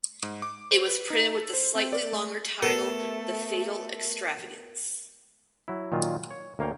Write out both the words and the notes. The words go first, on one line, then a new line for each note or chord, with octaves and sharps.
It was printed with the slightly longer title The Fatal Extravagance.
G#2
D6
C5
B4
D#4
A4
C5
C4
D5
A3
A3 B3 A4 A#4 E7
F#3 E4
A#2 D#3 F#3 F4
C#5
D2 A#3 C#5 F5 G5